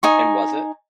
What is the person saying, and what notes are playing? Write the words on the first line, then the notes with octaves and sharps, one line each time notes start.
and was it?
D#4 G#5 C#6